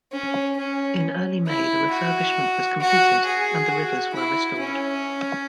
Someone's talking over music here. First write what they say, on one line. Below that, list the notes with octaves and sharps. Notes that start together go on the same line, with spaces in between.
In early May, the refurbishment was completed, and the rivers were restored.
C#4
C#4
E4
F#4
F#4
G#4
F#4
E4
C#4